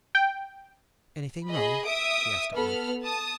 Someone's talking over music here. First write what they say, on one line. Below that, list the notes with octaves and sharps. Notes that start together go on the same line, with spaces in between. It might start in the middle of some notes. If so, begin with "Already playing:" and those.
"Anything wrong?" she asked at once.
G5
G#4 D#5 B5
E5 D#6 D7
B3 A4 B5 F6
A5 D#6